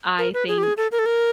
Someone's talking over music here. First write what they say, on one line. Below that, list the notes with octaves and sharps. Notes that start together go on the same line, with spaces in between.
I think,
A#4
B4
G#4
G4
G#4
A4
A#4
A4
A#4